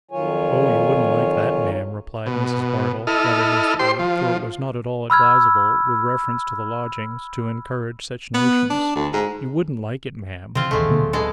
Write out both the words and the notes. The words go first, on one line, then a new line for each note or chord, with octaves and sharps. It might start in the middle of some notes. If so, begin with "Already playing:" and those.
'Oh, you wouldn't like that, ma'am,' replied Mrs. Bardell, rather hastily; for it was not at all advisable, with reference to the lodgings, to encourage such notions; 'you wouldn't like it, ma'am.'
F2 D#3 F#3 F4 C#5 G#5
B2
E4 A4 D#5 F6
G4 C5 C6
F3
B5 E6 F6 G#6
B3
D4
D2
G#2
C3 E3 C4 F4
A#1 D#2 G#3 A3
B2 D3 A#3
D1
B2 G#3 A4